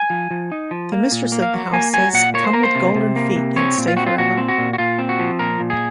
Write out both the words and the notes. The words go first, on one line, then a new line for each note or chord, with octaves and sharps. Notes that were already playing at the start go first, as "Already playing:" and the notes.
The mistress of the house says "come with golden feet and stay forever."
Already playing: G#5
F3
F3
D#4
F3
A#3
A#2
A#3
F5
F#3
A#3 G#5
F#3 G#5
A#2 F#5
A#3 C#5
C5
A#3 A#4
C5
C3
C3
A#3
C3
C4 C#5
A#2
F4
C4 F#4
F4
A#2 F#4
C4
F#4
A#2
F#4
A#2 F4
C4
F#4
F3
A#2 A#4
A#2
G#4